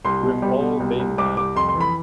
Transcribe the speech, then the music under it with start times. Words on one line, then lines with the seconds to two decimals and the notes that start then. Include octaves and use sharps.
We've all been there.
0.05 C2 C6
0.23 B2
0.42 G3
0.61 B2
0.80 C2
0.99 C2
1.18 C2 D6
1.37 C2 D6
1.56 F2 C6
1.69 C6
1.74 E3
1.81 B5